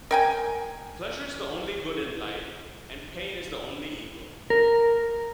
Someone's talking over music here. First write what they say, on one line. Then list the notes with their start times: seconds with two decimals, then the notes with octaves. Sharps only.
Pleasure is the only good in life and pain is the only evil.
0.11 A#4 G5 G#5
4.50 A#4